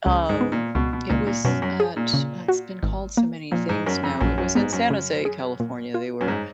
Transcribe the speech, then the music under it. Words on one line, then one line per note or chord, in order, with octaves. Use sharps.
Um, it was at, it's been called so many things now, it was in San Jose, California, they were,
C#2 C#3
G#2
B3
A#2
C#2 B2
B2
C#2 A#2
A#2
F#2 B2
F#2
G#4
A#2
C#3
F#4
G#1
A#3
A#2 F3
G#2
F#2 A#4
F2
A#1 F#2
F#2
G#2 B3
F#2
C#3
G#4
A#2
F4
F#2
G#2